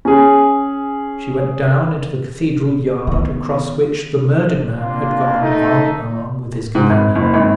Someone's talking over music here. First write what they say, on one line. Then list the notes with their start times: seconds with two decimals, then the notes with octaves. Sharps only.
She went down into the cathedral yard, across which the murdered man had gone arm-in-arm with his companion.
0.05 C#4 G#4
3.07 D#3 B3
4.78 A#3 C4 D4 F4
5.41 A3 D#4
6.75 G#2
6.89 G#1
7.15 F#1
7.34 G#1